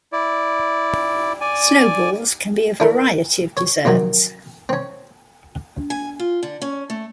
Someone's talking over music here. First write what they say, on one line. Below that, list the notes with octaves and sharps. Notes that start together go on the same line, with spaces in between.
Snowballs can be a variety of desserts.
E4 D5
D5 G#5
D4 E4 A#4
C#5
A#1 C3 D#3 F#3
C4 C#4
G#5
F4
D3
C#4
A3